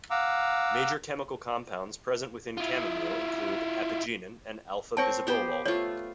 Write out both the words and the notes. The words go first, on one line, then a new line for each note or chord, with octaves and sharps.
Major chemical compounds present within chamomile include apigenin and alpha-bisabolol.
F5 F#5 A#5 D6 E6
E4 F4
C4 A#4 C#5 A5 C#6
B3 G4 C5
A3 F4 C#5